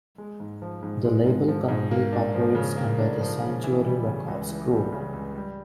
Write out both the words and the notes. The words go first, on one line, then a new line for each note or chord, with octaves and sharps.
The label currently operates under the Sanctuary Records Group.
G#3
G#2
F3
G#2
G#3
G#2
F3
G#2
A#3
D4
F3
C#3
A#3
D4
F3
C#3
E3
G3
C#3
C#2
E3
G3
C#3
C#2
G3